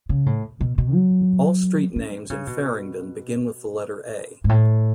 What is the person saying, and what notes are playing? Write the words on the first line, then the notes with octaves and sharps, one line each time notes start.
All street names in Farringdon begin with the letter A.
C#3
A2
B2
B2
F#3
C#4
D#3
C#3
B2
G#2
A2